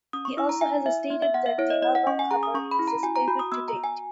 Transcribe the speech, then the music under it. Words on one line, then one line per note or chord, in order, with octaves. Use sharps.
He also has stated that the album cover is his favorite to date.
C#4 D#6
C#6
E4 E6
A#5
E4 G#5
E4 E5
B3
E5
B3 F#5
E5
E4 C#5
D#5
B3 D#5
F#5
C#4 C#6
G#5
G#4 A#5
D#6
C#4 C#6
B5
E4
A#5
F#4 G#5
A#5
F#4 B5
D#6
B3 E6
A#5
F#4
G#5